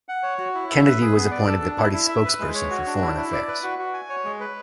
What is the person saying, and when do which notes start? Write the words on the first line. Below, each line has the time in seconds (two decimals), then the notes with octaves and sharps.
Kennedy was appointed the party's spokesperson for foreign affairs.
0.09 F#5
0.23 C#5
0.39 F#4
0.55 E4
0.69 E5
0.85 B4
1.01 G#4
1.16 B3
1.31 D5
1.47 A4
1.62 D4
1.78 E4
1.93 E4
2.09 E5
2.25 B4
2.39 G#3
2.55 C#5
2.71 F#4
2.86 D4
3.01 E4
3.17 E4
3.33 D5
3.48 B4
3.63 F#4
3.79 F#4
3.94 G#5
4.10 C#5
4.24 G#3
4.40 B4